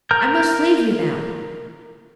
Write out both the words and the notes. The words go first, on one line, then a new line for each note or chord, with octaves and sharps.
I must leave you now.
A#4 A#5 F6 G6